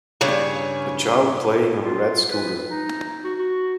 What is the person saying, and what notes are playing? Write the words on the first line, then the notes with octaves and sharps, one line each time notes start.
A child playing on a red scooter.
G2 C#3 C#4
F4
B4
D#4
F#4
F#4